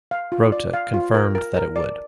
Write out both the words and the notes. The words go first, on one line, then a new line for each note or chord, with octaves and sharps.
Grotte confirmed that it would.
F5
F4
D5
F5
F4
A#4
A#4
A#4
D5